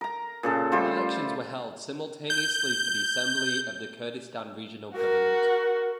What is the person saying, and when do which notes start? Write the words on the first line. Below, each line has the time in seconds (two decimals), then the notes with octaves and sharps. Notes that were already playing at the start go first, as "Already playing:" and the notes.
Elections were held simultaneously for the assembly of the Kurdistan Regional Government.
0.01 A#4 A#5
0.43 A#2 C#3 A4
0.72 G3 A3 F4 C5
2.30 G6
4.96 F#4 A#4